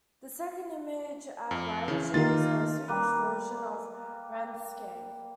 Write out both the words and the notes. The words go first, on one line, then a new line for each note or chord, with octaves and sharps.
The second image at right shows a Swedish version of "renskav".
F2
C#3 E3 C6
D#3 A#3 F4 G4 A#4 C6 A6
G3 A#3 B4